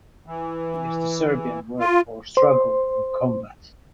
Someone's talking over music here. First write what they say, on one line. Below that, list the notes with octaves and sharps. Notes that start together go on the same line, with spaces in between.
Its name is the Serbian word for 'struggle' or 'combat'.
E3
F4
C5 C6